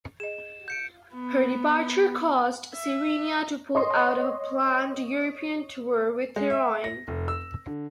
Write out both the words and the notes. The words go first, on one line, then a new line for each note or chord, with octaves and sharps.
Her departure caused "Sirenia" to pull out of a planned European tour with "Therion".
G#4 D#5 E7
G6 C#7 D7
B3
E5
C#5 D#5 C6
G#3
E5
A#6
F1
E6
D3